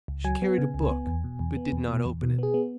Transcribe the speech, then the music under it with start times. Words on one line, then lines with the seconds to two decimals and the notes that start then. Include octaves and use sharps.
She carried a book, but did not open it.
0.08 C#2
0.24 F#3 G#5
0.42 B3
0.58 C#3
0.74 C#2
0.91 B3
1.07 E2
1.24 B2
1.39 E2
1.56 B3
1.72 E2
1.88 B2
2.06 E2
2.22 B2
2.39 B3 G#4
2.54 B3